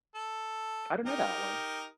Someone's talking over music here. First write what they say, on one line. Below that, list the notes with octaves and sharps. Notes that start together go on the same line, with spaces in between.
I don't know that one.
A4
D#4 G4 A#4